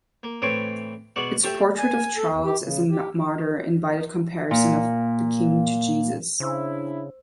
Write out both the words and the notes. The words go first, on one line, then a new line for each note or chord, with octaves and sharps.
Its portrait of Charles as a martyr invited comparison of the King to Jesus.
A#3
A2 E3 C4 C#5 C6 D6
B2 G#3 F#4 D5 C#6
A3 C4 G4 C5 E5
G#5
A4
E2
G4
C#3
G4
A#2 A#3
C#3 D4 E4 C5 C6 E6